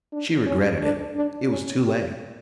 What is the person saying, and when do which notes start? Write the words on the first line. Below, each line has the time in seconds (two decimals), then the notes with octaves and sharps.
She regretted it. It was too late.
0.12 D4
0.47 C#4
0.81 D4
1.15 D4
1.50 C#4
1.85 G4